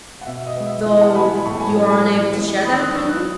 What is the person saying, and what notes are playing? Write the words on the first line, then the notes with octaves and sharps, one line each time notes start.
"Though you are unable to share that opinion?"
F#5
B2 E5
D#5
G#3 B3
E5
E3 D#5
F#5 A5
G#3 B3 G#5 B5
B5
A2 A5 C#6
G#5 B5
F#3 A3 C#4
G#5 B5
E3
G#3 B3
D#3 B5 D#6
E6
D#6 F#6
F#3 B3 C#6 E6
D#6 F#6